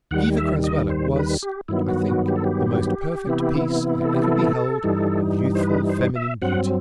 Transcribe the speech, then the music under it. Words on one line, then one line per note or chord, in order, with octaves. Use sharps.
Eva Crasweller was, I think, the most perfect piece I ever beheld of youthful feminine beauty.
D#2 D#3 G3 F#5
E5
D#5
C5
B4
G4
G2 D#3 F#3 B3 E4
F#4
F#4
G4
A4
G4
C3 E3 B3 E4
A4
G4
A4
G2 E3 G3 D#4
C5
B4
C5
E5
G2 F#3 C4 F#5